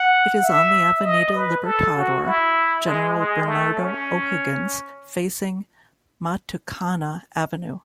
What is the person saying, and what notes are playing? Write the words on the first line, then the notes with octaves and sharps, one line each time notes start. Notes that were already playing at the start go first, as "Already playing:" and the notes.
It is on the Avenida Libertador General Bernardo O'Higgins, facing Matucana avenue.
Already playing: F#5
E5
D#5
B4
A4
F#4
E4
G#3
G#3
A3
C#4